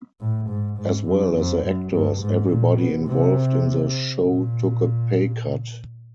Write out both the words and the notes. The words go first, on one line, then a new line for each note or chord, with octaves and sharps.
As well as the actors, everybody involved in the show took a pay cut.
A2
G#2
G#2
F#2
F2
F#2
G2
G#2
A#2
B2
C3
A#2